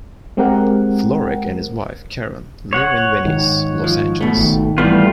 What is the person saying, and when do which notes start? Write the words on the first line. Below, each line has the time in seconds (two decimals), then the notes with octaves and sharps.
Florek and his wife, Karen, live in Venice, Los Angeles.
0.37 G#3 C4 G4 A#4 F#5
2.73 C#5 F#5
3.25 G#2 D#3
3.84 F3
4.21 B2 A3
4.37 G#1 D#3
4.78 F2 E3 G3 A3 B3 F4